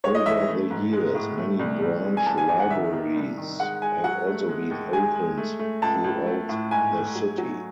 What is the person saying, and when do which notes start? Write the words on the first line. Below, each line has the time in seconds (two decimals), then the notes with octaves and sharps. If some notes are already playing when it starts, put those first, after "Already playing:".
Over the years, many branch libraries have also been opened throughout the City.
0.04 G#3 C#5
0.15 D#5
0.26 E3 E5
0.49 A3
0.71 G#2
0.93 G#3
1.15 A2
1.38 A3
1.59 C2
1.82 C2
2.04 G#3
2.17 G#5
2.26 E2 A5
2.38 G#5
2.48 E2 G#5
2.60 F#5
2.70 D#3 E5
2.93 D#3
3.16 C2
3.37 D#3
3.60 G#3 F#5
3.82 G#3 G#5
4.04 F#3 F#5
4.27 A3
4.49 G#3
4.71 D#2
4.93 G#3 G#5
5.15 G#3
5.38 A3
5.59 A3
5.82 C#2 A5
6.04 C#2
6.27 A3
6.49 A2
6.71 G#2 G#5
6.93 A3
7.15 F#3
7.38 F#3